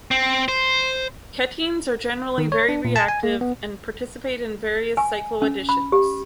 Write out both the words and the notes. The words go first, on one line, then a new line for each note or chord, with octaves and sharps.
Ketenes are generally very reactive, and participate in various cycloadditions.
C4
C5
D#3
C#5
D4
A#2
A5
G#5
A#3
B3
G#5
C#4
B5
G4